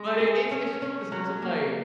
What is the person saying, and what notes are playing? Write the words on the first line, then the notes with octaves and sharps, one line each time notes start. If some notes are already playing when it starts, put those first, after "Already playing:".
But it it's it's just in the sense of, like,
Already playing: G#3
G#4
C#4
C#4
F#3
A#3